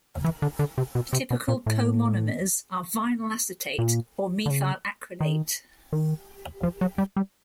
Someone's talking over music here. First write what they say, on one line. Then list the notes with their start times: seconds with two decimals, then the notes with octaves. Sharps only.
Typical comonomers are vinyl acetate or methyl acrylate.
0.24 E3
0.42 D3
0.59 D3
0.78 C3
0.95 B2
1.13 C3
1.31 B2
1.48 A#2
1.66 A2
3.79 A#2
4.46 D3
4.50 C#3
5.20 D#3
5.93 D#3
6.63 F3
6.81 F#3
6.98 G3
7.16 G3